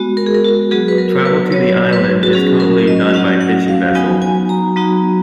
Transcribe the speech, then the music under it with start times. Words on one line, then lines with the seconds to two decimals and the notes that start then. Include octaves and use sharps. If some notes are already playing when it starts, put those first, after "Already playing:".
Travel to the island is currently done by fishing vessel.
Already playing: G#3 B3 F#4
0.17 A#4
0.26 G#4
0.34 A#4
0.44 F#4
0.71 F#3 B3 F#4 G#4
0.88 B4
0.98 A#4
1.25 B4
1.52 F#3 B3 F#4 C#5
1.93 B4
2.23 F#4
2.33 F#3 C#4 F#4 G#4
2.60 A#4
2.87 D#5
3.14 F#3 C#4 F#4 F#5
3.41 F#5
3.68 F5
3.95 F#3 B3 D#4 F#4 G#5
4.22 G#5
4.49 A#5
4.76 F#3 B3 D#4 F#4